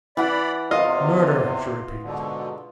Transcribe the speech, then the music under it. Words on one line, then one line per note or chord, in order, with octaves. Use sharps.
"Murder!" she repeated.
E3 D5 F#5 B5
E2 C3 F4 D#5 F5
G#2 B2 D3